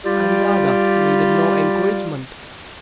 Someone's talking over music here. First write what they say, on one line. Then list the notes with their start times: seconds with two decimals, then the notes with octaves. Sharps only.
And Dada needed no encouragement.
0.05 G3 F4 G4 D5